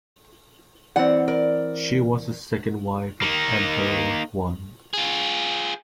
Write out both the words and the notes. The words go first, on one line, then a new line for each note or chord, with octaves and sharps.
She was the second wife of Emperor Huan.
E3 C4 D5 F#5
A#4 D5
A#3 D#4
F4 G#4